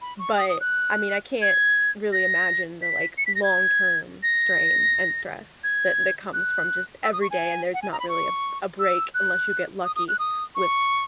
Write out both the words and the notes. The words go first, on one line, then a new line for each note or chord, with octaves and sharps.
but, I mean, I can't really imagine the, like, long-term strain and stress that that comes from just every day and there's not really a b a break unless you get lucky with
B5
C#6
D#6
D#6
F#6
G#6
A#6
B6
C#7
B6
A#6
G#6
A#6
G#6
F#6
E6
D#6
C#6
G#5
F#5
G#5
A#5
B5
C#6
E6
F#6
D#6
D#6
F#6
D#6
C#6